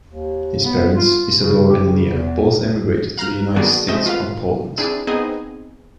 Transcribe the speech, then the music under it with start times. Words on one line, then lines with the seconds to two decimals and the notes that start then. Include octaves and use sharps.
His parents, Isidor and Leah, both emigrated to the United States from Poland.
0.09 D#2
0.64 B3
0.96 F4
1.36 C#3
1.70 G4
1.85 C#3
2.10 E2
3.18 F5 A#5 F6 F#6
3.56 D#3 A#3 B3 D4 F#4 G#4
3.88 G#3 A3 C4 D#5 E5
4.06 F4 B4 F5
4.78 C4 D4 E4 G#4
5.07 B3 C4 D#4 G#4 D#5 G#5